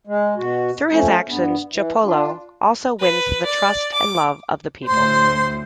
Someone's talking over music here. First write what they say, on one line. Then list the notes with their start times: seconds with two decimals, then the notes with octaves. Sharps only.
Through his actions, Joppolo also wins the trust and love of the people.
0.07 G#3
0.37 B2 F#4
0.92 F3 A3 C#4
1.27 G2 B3
1.72 E3
2.05 D4 F4
3.00 B4
3.45 D5
3.94 D6
4.87 D2 A2 C5 C6